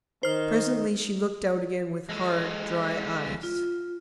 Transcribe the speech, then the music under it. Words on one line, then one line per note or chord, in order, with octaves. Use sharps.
Presently she looked out again with hard, dry eyes.
D#3 C5 F6
G#3 A4
F4